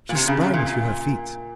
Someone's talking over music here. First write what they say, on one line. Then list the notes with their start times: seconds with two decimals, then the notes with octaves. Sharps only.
She sprang to her feet.
0.09 A#2
0.15 C3
0.28 C#3
0.41 C3
0.54 A#2
0.66 A#2